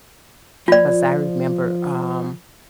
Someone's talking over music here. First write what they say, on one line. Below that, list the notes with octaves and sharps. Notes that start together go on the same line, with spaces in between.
'Cause I remember, um,
F3 F4 D5